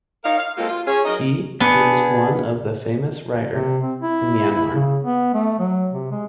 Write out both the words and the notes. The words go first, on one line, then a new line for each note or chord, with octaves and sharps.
He is one of the famous writer in Myanmar.
D#4 A#4 C#5 F5
F5
G#3 A#3 C4 F4 F#4 A4
F4
C#4 G#4
F#3 D#4 A#4 D#5
B3 D4 G#4
C3
C4
E4
C#3
B3
A3
F#3
C3
G#3